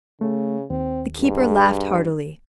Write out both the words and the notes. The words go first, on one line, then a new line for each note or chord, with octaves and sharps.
The keeper laughed heartily.
C#3 A3
D#2 C4
G2 G#4